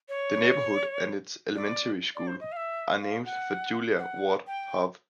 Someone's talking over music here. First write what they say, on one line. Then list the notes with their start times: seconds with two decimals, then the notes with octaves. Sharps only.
The neighborhood and its elementary school are named for Julia Ward Howe.
0.09 C#5
1.55 D5
2.16 D5
2.27 C5
2.40 D#5
2.52 F5
2.56 E5
3.01 F5
3.26 F#5
3.99 F#5
4.47 G5